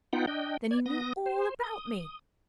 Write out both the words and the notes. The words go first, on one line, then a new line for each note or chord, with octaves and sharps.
Then he knew all about me!
B3 D#4 F4 F#5 G5
D4 D#5 G5
D5 G#6
B3 D#6 A#6
C5
D#6